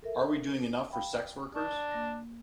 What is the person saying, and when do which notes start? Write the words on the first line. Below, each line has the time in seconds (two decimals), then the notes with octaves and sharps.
Are we doing enough for sex workers?
0.03 A4 A#4 E5
0.93 F5 G5 B5
1.55 D4 C#6
1.91 A#3 A#6